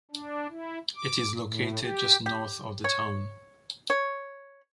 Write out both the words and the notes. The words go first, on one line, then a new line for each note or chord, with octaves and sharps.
It is located just north of the town.
D4
E4
D6
A2
G4
G4
C#5
C#5